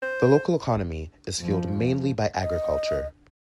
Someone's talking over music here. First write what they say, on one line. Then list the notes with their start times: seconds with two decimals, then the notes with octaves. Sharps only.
The local economy is fuelled mainly by agriculture.
0.02 C5
1.40 F2 F3
1.77 F3
2.40 D#5